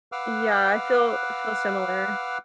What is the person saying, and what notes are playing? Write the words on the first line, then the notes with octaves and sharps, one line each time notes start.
Yeah. I feel I feel similar.
B4 F5 F#5 D6 E6 F6